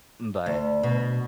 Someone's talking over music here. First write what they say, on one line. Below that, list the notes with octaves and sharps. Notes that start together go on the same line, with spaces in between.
Mm bye.
D2
B2